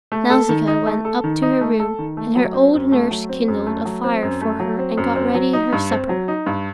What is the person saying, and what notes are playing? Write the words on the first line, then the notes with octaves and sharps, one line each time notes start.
Nausicaa went up to her room, and her old nurse kindled a fire for her and got ready her supper.
A3
A4
D#3
D#4
A3
A4
D#3
D#4
A3
A4
D#3
A3
F#3
C4
F#2
A3
F#3
C4
F#2
A3
F#3
C4
F#2
A3
F#3
C4
F#2
C4
F#3
D#4
G2
C4
F#3
D#4
G2